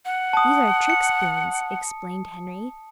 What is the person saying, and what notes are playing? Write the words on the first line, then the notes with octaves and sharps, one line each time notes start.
"These are trick spoons," explained Henry.
F#5
A5 D#6
C#7